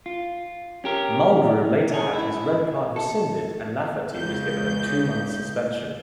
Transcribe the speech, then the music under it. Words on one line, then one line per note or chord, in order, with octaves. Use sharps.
Mulgrew later had his red card rescinded and Lafferty was given a two-month suspension.
F4
C#4 G4 A#4
C#4 G#4
E4
A4
C#2 G6